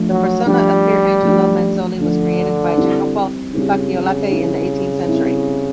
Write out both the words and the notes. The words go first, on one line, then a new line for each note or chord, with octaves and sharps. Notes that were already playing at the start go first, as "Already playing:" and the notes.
The persona of Pier Angelo Manzolli was created by Jacopo Facciolati in the eighteenth-century.
Already playing: F3 A3 D4
F#3
F3 G3 A3 D4
F3 A3 D4
D3 F3 A3 D4
G3 C4 E4
C#3 G3 C4 E4
G3 C4 E4
G3 C4 E4